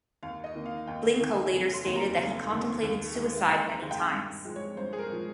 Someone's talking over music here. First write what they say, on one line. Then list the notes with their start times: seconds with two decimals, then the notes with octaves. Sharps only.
Blincoe later stated that he contemplated suicide many times.
0.23 D#2 F5
0.44 D#5
0.55 D#3 A#3
0.66 F5
0.87 D#2 G5
1.20 D#3 A#3
1.31 G#5
1.52 F1 G#5
1.74 C6
1.85 D#2 D#3 A#3
1.96 A#5
2.17 F1
2.50 D#2 D#3 A#3
2.82 D#2
3.15 D#3 G#3
3.47 D#2 C6
3.69 A#5
3.80 D#3 G#3
3.91 G5
4.12 G2
4.45 F3 G#3
4.56 C#5
4.77 G2 C5
4.93 G#4
4.99 A#4
5.10 F3 G#3